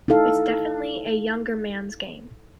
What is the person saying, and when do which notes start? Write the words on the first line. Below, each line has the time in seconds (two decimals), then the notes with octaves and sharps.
It's definitely a younger man's game.
0.08 D#4 E4 A4 F5